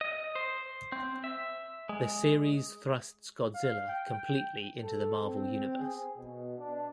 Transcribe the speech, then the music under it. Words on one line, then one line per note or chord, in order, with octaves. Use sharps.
The series thrusts Godzilla completely into the Marvel Universe.
D#5
C5
C4
E5
G#3
F5
G5
A4
C4
G#4
B2
D4